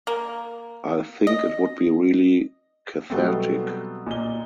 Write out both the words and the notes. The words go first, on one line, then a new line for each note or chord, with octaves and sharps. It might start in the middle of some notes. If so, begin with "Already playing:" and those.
I think it would be really cathartic.
A#3
D#5
B2 F#3 G3 A3 B3 C4
A#2 D#5 G7